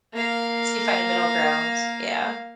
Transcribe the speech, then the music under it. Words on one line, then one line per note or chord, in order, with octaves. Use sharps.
So you find a middle ground, yeah.
A#3 F5